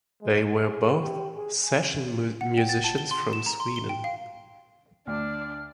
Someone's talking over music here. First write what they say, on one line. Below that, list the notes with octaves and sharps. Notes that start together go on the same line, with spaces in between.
They were both session-musicians from Sweden.
G#3
G#4
G4
G#4
G#5
F#5
G5
A6
A5
G7
C6
E7
A#5
C6
G7
G5
F5
D2 D4 D5 F6